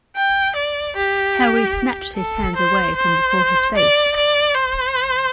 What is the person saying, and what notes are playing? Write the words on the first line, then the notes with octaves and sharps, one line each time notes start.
Harry snatched his hands away from before his face.
G5
D5
G4
A4
C5
C5
D5
D5
C5